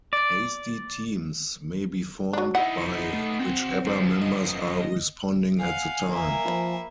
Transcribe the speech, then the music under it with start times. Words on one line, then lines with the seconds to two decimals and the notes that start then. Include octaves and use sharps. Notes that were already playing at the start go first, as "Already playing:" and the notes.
Hasty teams may be formed by whichever members are responding at the time.
0.13 D5
2.33 F#3 D4
2.55 B3 D#4 E4 F#5
3.13 A3
3.39 C4 F#4 G5
3.85 F#2 F3
4.21 D#5
5.59 F5 F#5 G#5
6.09 A#3 A#4 E5
6.46 F3 B5